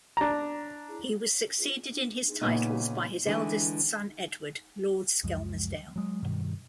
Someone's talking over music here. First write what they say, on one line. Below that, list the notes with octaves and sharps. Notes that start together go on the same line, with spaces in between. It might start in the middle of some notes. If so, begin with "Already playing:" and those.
He was succeeded in his titles by his eldest son, Edward, Lord Skelmersdale.
D4 A#5
A#2 C#3 A#3 B3 C#4 D#4
D3 E3 G#3
C#2 F#2 F3 G#3
F#3 G#3
G2 B2 D#3 G3